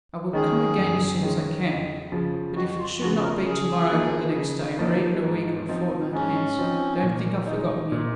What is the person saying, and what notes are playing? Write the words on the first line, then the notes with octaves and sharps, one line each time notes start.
I will come again as soon as I can; but if it should not be to-morrow, or the next day, or even a week or a fortnight hence, don't think I've forgotten you.
D#3 G#3 C#4 G#4
F#2
D#3 G#3 C#4
F2
C#3 F3
F2 F#4
F4
C#3 F3 F#4
A#4
C#3 G#4
F3 A#3 D#4
C#3
F3 A#3 D#4
G#2
F3 C4 D#4
G#2 C#4
F3 C4 D#4
A#2
G#3 D#4
A#2